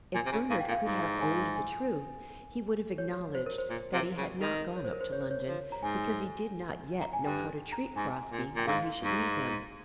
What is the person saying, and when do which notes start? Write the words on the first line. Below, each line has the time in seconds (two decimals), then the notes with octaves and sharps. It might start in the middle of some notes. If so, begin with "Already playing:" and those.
If Bernard could have owned the truth, he would have acknowledged that he had not gone up to London, because he did not yet know how to treat Crosbie when he should meet him.
0.14 A#2 G#5
0.26 C3
0.32 C#3
0.50 G#2 F5
0.61 G5
0.68 A#2
0.71 F5
0.85 G#2
1.21 G#5
1.56 G#5
2.98 C#5
3.35 C5
3.46 A#4
3.58 C5
3.70 A#2
3.93 C3
4.17 C#3
4.41 D#3 A#4
4.76 C#5
4.85 C5
4.93 A#4
5.01 C5
5.12 C#5
5.21 C5
5.31 C#5
5.48 F3
5.72 A#5
5.83 G#2 G#5
7.01 A#5
7.13 G#5
7.24 G2 G5
7.72 A#5
7.96 G#2 G#5
8.32 A#2
8.56 A#2 G5
8.67 G#2 F5
9.03 G#2